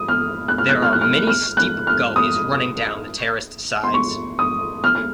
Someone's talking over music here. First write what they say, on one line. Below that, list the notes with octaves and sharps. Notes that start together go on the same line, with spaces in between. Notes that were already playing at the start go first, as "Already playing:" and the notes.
There are many steep gullies running down the terraced sides.
Already playing: D#6
F6
F#6
F6
F#6
F6
F#6
F6
F6
F#6
F6
D#6
C6
C#6
D#6
F6
F6